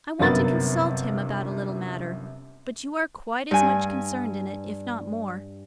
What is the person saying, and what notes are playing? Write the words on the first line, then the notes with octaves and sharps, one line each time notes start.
I want to consult him about a little matter; but you are quite as much concerned in it, if not more.
G1 F#2 C3 B3 A#4 A6
G2 G#5